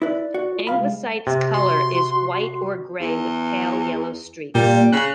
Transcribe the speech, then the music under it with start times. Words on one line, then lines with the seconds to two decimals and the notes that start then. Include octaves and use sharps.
Anglesite's color is white or gray with pale yellow streaks.
0.02 E4 B4 D5
0.34 F#4
0.54 F4
0.67 C2 F5 B5
0.79 G#3
1.27 C3 G4
1.54 F#4 C6
3.01 E2
4.55 A#2 G3
4.92 C#3 F#6